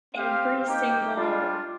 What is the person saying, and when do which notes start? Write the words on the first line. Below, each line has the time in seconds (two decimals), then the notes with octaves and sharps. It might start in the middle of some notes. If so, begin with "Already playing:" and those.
every single
0.15 C4 G4 F5
0.65 A#3 D#4 G4 G5
1.15 G3 D4 F4